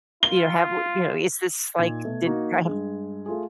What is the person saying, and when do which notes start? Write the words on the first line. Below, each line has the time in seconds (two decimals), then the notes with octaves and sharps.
you know, "have we" you know, "is this like did" right
0.23 F4 G7
1.78 A#2 D#4 G#6
2.04 B2 A3
2.25 A#3 D#4 F#4
2.65 G2 G#3
3.26 A3 F4 G#4